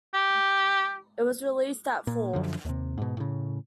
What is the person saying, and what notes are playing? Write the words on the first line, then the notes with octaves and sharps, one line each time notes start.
It was released that fall.
G4
A#2
F#2 D3 F3
D#2 C3
G#2 B2
A2 C#3